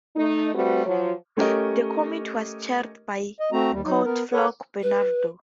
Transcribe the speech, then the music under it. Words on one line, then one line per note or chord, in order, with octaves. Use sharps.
The committee was chaired by count Folke Bernadotte.
A3 D#4
G3 A3 C4 F#4 B4
F3 F#3
A3 C#4 G4 A#4 D#5
D#5
A3 C4 F#4 A#5
D#2 G3
F#3 D#4
B3 A#4
A4 B4 C#5 F#5
B4